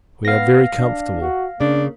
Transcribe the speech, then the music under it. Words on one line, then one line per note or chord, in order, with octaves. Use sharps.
We are very comfortable.
B3 F5 A#6
D4
F#4
C#3 A#3 D4